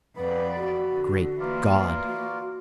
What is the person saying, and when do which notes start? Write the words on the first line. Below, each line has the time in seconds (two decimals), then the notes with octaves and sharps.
Great God!
0.16 F2 B3 B4 D5 B5
0.56 F#4
0.91 D3
1.40 E3 A#3 F4 A#4 D5
2.06 F#4